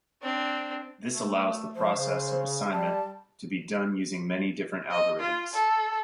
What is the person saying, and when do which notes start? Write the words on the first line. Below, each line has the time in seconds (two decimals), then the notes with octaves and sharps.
This allows the process of assignment to be done using many different algorithms.
0.21 C4 D4
1.08 A3
1.75 F3 C5
1.94 C#3
2.71 G3 A5
4.91 D#5
5.20 F4
5.53 A4